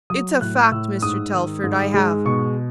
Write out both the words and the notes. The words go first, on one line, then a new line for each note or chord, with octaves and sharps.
It's a fact, Mr. Telford--I have.
F#3 D#6
A2 F#6
A2 E6
G#2 D#6
D#3
G#2
G#3
B2 C#6